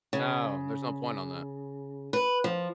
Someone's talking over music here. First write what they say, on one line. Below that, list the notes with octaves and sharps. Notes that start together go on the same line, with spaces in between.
No, there's no point on that.
C#3
B4
F3